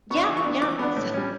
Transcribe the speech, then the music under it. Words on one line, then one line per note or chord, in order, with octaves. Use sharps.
Yeah, yeah, so
B3 D4 C#6
E3 D6
C#6
B3 D4
E3 D6
B3 D4
A2
G3 C#4